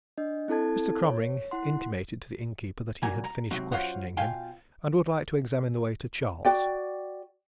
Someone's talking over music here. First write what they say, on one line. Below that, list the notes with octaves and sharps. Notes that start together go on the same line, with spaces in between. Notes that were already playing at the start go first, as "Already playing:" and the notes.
Mr. Cromering intimated to the innkeeper that he had finished questioning him, and would like to examine the waiter, Charles.
D4 D#5
C4 E4 A4 A5 G#6
C#5
E4 F#5 C6
C2 A#2 F#3 A#3 G#5 A#5
A#5
G#2 C3 F#3 C4
F#2 F#3 F4 C5 C#5 F#5
B2 F4 F5 G5 G#5
F#4 D5 G5